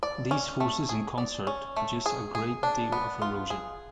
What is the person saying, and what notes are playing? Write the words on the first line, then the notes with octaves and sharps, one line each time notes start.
These forces in concert produce a great deal of erosion.
D5
C#4
A3
G#4
D5
C#4
A3
G#4
G#4
D4
B3
F4
G#4